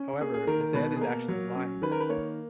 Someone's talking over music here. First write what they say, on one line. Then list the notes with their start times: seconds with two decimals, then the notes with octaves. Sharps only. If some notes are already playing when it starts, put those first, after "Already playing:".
However, Zedd is actually lying.
Already playing: C#4
0.21 A#3 G#4
0.34 G#4
0.47 D#3 A#4
0.61 A#4
0.74 B2 B4
0.96 G#4
1.01 A#3 A#4
1.28 F#3
1.56 C#4
1.82 D#3 B4
1.92 A#4
2.00 B4
2.09 A#3 C#5